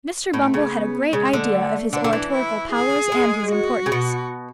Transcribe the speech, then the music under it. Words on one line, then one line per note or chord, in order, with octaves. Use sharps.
Mr. Bumble had a great idea of his oratorical powers and his importance.
A2 A3
C#3
B3
C#3 G#3
D3
A3
D3 D4
D3
E3
E4
G#4
G#3
F#4
C#3
B2